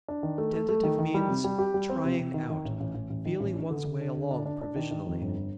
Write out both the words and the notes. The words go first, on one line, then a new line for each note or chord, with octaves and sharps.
Tentative means trying out, feeling one's way along provisionally.
D4
D#3
A3
A3
A3
D#3
D#3
G3
C3
G3
G4
G3
C4
C3
C3
D#3
D#3
A1
A1
A1
A1
D#3
A1
D4
D3
D3
D4
D3
D4
D4
D4
D#3
D#3
F2
G1